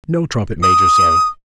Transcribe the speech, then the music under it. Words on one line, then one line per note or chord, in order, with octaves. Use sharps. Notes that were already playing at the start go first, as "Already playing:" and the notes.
'No, trumpet-major, sir.
D#6